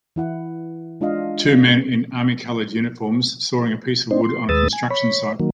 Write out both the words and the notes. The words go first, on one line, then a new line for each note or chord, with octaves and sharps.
Two men in armycolored uniforms sawing a piece of wood on a construction site.
E3 E4 F#5
G#3 D4 F4 D#5 F5
C4 D4 D#4 C5
C6
D#2 G#3 B4 D#6 E6 A6
G#5
C#5 B5
D#3 F#3 A#3